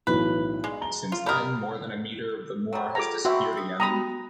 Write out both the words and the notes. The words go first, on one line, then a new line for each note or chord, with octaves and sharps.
Since then, more than a meter of the moor has disappeared again.
B1 A2 E3 B4
G#3
A#5 G7
F4
G3 A#4 B5 D#6
F#3 G3 A#5
F4 G#4 A4 A#5 D6
C4 F#4 E5 F#5 B5
D#6 E6
B3 F#4 G4 A#5 B5 D#6